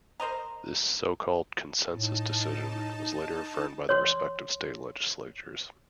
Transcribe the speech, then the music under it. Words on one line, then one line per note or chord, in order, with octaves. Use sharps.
This so-called "consensus decision" was later affirmed by the respective state legislatures.
A#4 C5 D#5 A#5
A2 D#4 A5
C#5 C6